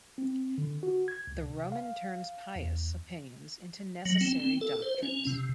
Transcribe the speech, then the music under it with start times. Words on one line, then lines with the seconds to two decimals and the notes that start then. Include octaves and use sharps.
The Roman turns pious opinions into necessary doctrines.
0.18 C4
0.58 D3
0.83 F#4
1.08 G#6
1.27 C#2
1.42 C3
1.72 F5
2.56 E2
4.05 F#3
4.21 C4
4.40 C4
4.61 A4
4.82 C5
5.02 C#4
5.27 C3